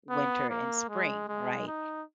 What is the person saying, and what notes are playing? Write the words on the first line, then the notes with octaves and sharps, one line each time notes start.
winter and spring, right?
B3
A#3
G#3
G#3
D#4